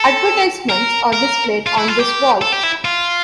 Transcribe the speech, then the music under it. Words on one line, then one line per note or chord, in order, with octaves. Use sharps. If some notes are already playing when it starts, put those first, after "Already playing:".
Advertisements are displayed on this wall.
Already playing: A4
A#4
A#4
F4
E4
F4
G4
A4
G4
E4
F4